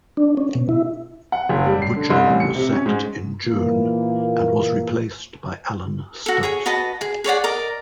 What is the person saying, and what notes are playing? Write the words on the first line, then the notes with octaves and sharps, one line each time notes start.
Butcher was sacked in June and was replaced by Alan Stubbs.
D4
C#4
B2
E4
F#5
F#1
G3
C7
D3
C2
A1
C#7
C3
C#4
G#2
A#2 E3 A#3
F#4 A4
G#4 C#5 G#5
F#4 B4 D#5 A5
G#4
G#4 C#5 D5 F#5
A#4 D5 D#5